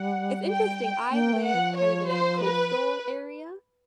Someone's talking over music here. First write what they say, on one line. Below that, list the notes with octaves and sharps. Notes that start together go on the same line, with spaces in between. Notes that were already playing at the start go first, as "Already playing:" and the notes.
It's interesting, I live kind of in a coastal area,
Already playing: G3 F#5
G5
A#3 G5
A3
F#5
F3
C#5
C5
B4